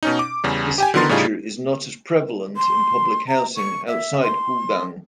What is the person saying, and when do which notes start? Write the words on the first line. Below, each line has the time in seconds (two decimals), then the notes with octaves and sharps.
This feature is not as prevalent in public housing outside Hougang.
0.03 B2 C#4 D#4
0.19 D6
0.44 E2 C#3 G3
0.78 G4 G5 G#5
0.94 D3 D#3 B3 A#4 C6 A6
1.09 A2 C#3 G3 D#4 F4 G#4
2.56 C6
3.27 A#5
3.56 C#6
3.87 E5
4.21 C6